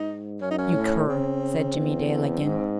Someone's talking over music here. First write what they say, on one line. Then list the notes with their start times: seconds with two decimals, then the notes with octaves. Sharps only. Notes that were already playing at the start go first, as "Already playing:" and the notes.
"You cur!" said Jimmie Dale again.
Already playing: G#2 D#4
0.41 F#2 C#4
0.51 D#4
0.58 C#4
0.75 A2
1.08 C#3 C4
1.75 E2
2.43 G#2